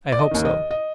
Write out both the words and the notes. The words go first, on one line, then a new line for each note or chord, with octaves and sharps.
"I hope so."
D5
D#5
D#2 D#3
D#5
D#5